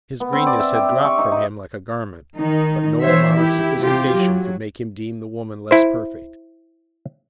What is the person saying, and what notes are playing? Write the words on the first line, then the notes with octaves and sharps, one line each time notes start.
His greenness had dropped from him like a garment, but no amount of sophistication could make him deem the woman less perfect.
B3
C4
D5
E5
G5
G4
C#6
D#4
D#4
D#3 D#4
D#3 E3 C5 C#5 E5
E4 G4
C3 F4 G4
F#3
E4 C5